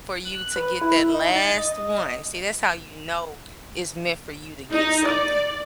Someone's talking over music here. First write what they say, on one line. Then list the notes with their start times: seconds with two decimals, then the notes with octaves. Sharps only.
for you to get that last one. See, that's how you know it's meant for you to get something.
0.25 F#6
0.56 B4
0.81 E4
1.14 D#4
1.35 A6
1.58 D#5
4.72 D#4
5.07 D5